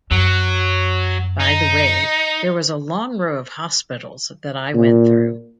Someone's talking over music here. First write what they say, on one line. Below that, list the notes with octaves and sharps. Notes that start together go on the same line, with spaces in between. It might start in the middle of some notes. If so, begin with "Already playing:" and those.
By the way, there was a long row of hospitals that I went through.
F#2 F#3
D#4
A#2